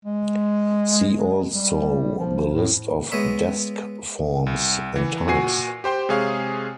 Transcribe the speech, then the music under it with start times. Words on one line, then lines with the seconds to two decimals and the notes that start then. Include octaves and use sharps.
See also the list of desk forms and types.
0.05 G#3
1.54 G3
2.18 F3
2.53 A2
3.12 G#3 B3 C#5 E5
4.46 C2
4.96 E3
5.28 A#2 F#4 G#5 C7
5.84 G4 C5 G5 C6
6.09 C3 G#3 G#4 C#5 F5